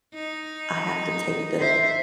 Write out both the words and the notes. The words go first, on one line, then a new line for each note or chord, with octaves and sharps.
I have to take the
D#4
C5 E5